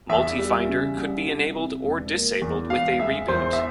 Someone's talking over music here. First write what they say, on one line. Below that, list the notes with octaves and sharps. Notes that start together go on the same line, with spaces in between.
MultiFinder could be enabled or disabled, with a reboot.
E2 E5
G3
C#3
C2
C2
C3
E1
A#3
E2
E1 F5
G#3 E5
E2 C5
E5